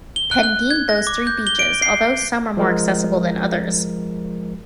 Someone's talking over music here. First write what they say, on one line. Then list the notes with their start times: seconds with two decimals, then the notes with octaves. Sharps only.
Pendeen boasts three beaches although some are more accessible than others.
0.16 G7
0.31 F#6
0.43 F#6
0.71 G#6
0.89 A#6
1.07 D6
1.27 G6
1.47 G7
1.59 D7
1.82 C7
2.57 F3 G#3 A#4